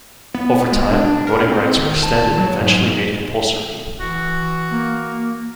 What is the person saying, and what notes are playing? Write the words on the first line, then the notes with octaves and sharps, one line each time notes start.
Over time, voting rights were extended and eventually made compulsory.
B3
G#3
D4
A#4
C4
D#3
A5
F#3
G#2
E3 F#4
A#3